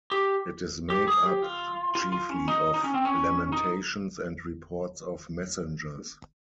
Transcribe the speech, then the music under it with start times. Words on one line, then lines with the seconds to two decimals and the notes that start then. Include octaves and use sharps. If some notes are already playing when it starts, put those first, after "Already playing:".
It is made up chiefly of lamentations and reports of messengers.
0.12 G4
0.90 G4
1.08 G#4
1.25 G4
1.42 F4
1.95 F4
2.12 F4
2.30 C#4
2.48 D#4
2.74 D#4
2.84 C#4
2.94 C4
3.05 C#4
3.52 D#4